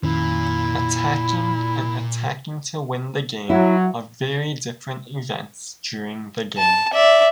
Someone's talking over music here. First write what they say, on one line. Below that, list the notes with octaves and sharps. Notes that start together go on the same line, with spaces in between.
Attacking and attacking to win the game are very different events during the game.
F2 A#2 D#3 C#4 E4
F#3 E4
A5
D5 E5